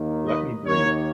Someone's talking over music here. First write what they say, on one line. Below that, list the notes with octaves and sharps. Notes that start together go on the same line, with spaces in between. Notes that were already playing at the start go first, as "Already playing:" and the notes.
Let me breathe!
Already playing: D#2 D#3 A#3
B4 D#5
D#2 D#3 A#3 A#4 C#5